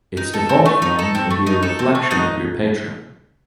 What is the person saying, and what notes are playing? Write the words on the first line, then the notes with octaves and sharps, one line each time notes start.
Its default form can be a reflection of your patron.
D#4
A4
C4
A3
D#4
A4
C4
A3
D#4
A4
C4
A3
D#4 D#5 F#5